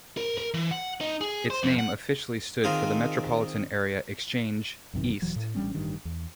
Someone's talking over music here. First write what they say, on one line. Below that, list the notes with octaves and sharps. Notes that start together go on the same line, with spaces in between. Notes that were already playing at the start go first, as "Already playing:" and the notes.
Its name officially stood for "Metropolitan Area Exchange, East".
A#4
A#4
E3
F#5
D#4
G#4
C5
F2
F#5
D#3 C4 D#4 F4 G#4 A#4
A1 F#2 C3 D#3
D#1 E3 F#3
A2
A1 G3 C#4 D4
A1 G2 D#3
E2